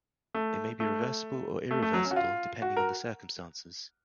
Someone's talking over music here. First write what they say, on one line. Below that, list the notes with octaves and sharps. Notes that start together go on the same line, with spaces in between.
It may be reversible or irreversible depending on the circumstances.
A3
A3
A3
A3
F#3
C#4
F#4
F4
F#4
A#4